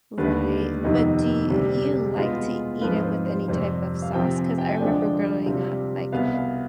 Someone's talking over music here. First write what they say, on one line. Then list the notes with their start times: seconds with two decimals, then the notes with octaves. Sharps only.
Right, but do you like to eat it with any type of sauce, 'cause I remember growing up, like,
0.18 D#2 D3 G3 B4
0.84 F2 C3 D#3 B3 D#4
1.50 D2 C3 G3
2.16 B2 G#3 B3 F4
2.81 G#2 F3 C4 F4 B4
3.04 C5
3.26 C5
3.48 F2 C3 G3 C4 C5
4.02 F5
4.14 C3 F3 C4 G5
4.36 G#5
4.58 G5
4.67 G#5
4.74 G5
4.80 D2 D3 F3 G#3 D4
5.46 C3 G3 C4 F4
6.12 C2 B2 B3 F5
6.35 F5